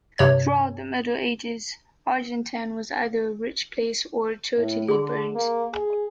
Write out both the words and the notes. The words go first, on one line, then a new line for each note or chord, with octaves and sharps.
Throughout the Middle Ages, Argentan was either a rich place or totally burnt.
G2 C3 C#5 G#6
A2
D3 G#4 C6
A#3
G#4